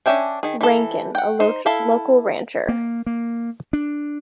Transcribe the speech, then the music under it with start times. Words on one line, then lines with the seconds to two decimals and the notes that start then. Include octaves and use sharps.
Rankin, a local rancher.
0.06 C#4 D4 E5 G5 G#5
0.43 D#3 G#4
0.61 E3 A4
1.15 F#5 G5
1.40 D#4 C5
1.66 E4 A4 E5 F5
2.69 A#3
3.06 A#3
3.73 D4